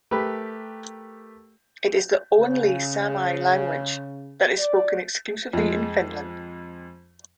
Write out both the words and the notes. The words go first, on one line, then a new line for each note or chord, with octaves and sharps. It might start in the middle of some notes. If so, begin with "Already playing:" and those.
It is the only Sami language that is spoken exclusively in Finland.
A3 G4 A#4 B4
C#3
D5
F2 G#3